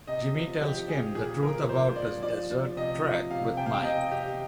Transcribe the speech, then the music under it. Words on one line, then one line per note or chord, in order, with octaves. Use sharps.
Jimmy tells Kim the truth about his desert trek with Mike.
C3 D#5
F3
F3 G4
F3 G#4
A#2 G#4
F3 A#4
F3 C5
F3 D5
F3 D5
F3
C3 D#5
F3
C3 F5
C3 G5
F5
G5
C3 D#5
C3 G4